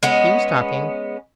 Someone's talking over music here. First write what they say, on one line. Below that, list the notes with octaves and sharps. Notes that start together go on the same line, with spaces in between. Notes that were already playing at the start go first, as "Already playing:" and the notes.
"He was talking."
G#3 B3 C#4